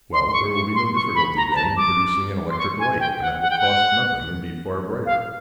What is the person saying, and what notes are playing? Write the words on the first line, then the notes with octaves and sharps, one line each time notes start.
"Well, there will be no difficulty then in producing an electric light, and that will cost nothing, and be far brighter."
C6
C6
C#6
C#6
C6
C#6
B5
A#5
A#5
A5
D6
C6
C#6
G#5
G5
F#5
F#5
G5
F#5
F5